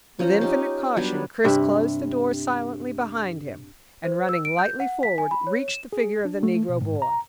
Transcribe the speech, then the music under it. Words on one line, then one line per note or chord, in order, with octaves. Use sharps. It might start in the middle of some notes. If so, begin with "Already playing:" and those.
With infinite caution Chris closed the door silently behind him, and running lightly forward, reached the figure of the Negro boy.
F3 C#4 A#5
D#4 G4
F#3 G3 B3 D4
G2 C3 E5
C5
E6
D7
G6
F#5
B6
G#5
B5
C#5
E7
G#4
D4
A3
B2
G#2
A#5